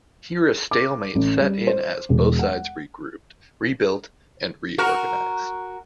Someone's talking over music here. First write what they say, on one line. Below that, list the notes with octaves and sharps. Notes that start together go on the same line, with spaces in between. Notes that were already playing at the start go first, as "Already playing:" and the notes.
Here a stalemate set in as both sides regrouped, rebuilt and reorganised.
D6
A1
G3
C5
E1
F#5
F#4 A#4